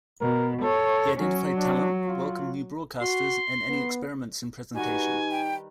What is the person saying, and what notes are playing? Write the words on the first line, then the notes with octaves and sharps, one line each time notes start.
He identified talent, welcomed new broadcasters and any experiments in presentation.
B2 A#4
A4 C#5
F#3 C#4
D4
F4
F#4 C6
B3
D#3 G3 D#4 F#4 B4 G#5
G5